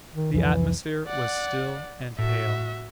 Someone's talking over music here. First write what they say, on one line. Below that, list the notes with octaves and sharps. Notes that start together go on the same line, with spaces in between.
The atmosphere was still and pale.
D#3
C2 F2 E3 F3
D5 F#5
A2 F#4 E5